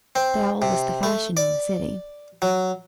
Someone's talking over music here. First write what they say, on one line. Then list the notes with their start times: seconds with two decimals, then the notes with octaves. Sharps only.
They all was the fashion in the city.
0.16 C4
0.62 C3
1.03 A3
1.37 D5
2.42 F#3